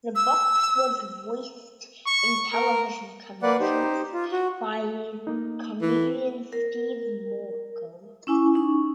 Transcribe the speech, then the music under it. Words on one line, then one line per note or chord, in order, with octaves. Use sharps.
The box was voiced in television commercials by comedian Steve Mackall.
E6
C#6
A#4
A#3 B4 D5 F#5
D#4 G4 C5
F4
F#4
A#3 D#4
E3
A4
A#4
C#4 E4 G#5 C#6 D6
C#4 D#4 C#6